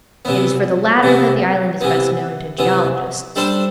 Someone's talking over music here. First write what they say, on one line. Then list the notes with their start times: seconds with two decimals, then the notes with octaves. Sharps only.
It is for the latter that the island is best known to geologists.
0.25 C3 E3 B3
1.03 C3 E3 B3
1.81 C3 E3 B3
2.59 C3 E3 B3
3.36 G3 D4 A4 C5